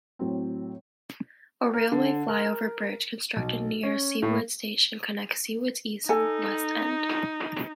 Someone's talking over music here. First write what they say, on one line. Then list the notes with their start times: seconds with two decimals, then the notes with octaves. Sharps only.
A railway flyover bridge constructed near Seawoods station connects Seawoods East and West end.
0.19 A2 F#3 C4
1.74 A#4
1.92 D3
2.28 A#4
3.36 B1
3.83 C#4
4.22 A2
6.09 D#4 A4 G#5